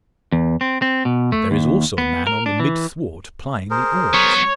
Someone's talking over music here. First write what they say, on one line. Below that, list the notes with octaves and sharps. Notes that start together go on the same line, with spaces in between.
But there is also a man on the mid thwart plying the oars.
E2
C4
C4
B2
A3
D#2
B3
A#4
D4
E3
G#4 A#4 C5
F#3 B3 C#5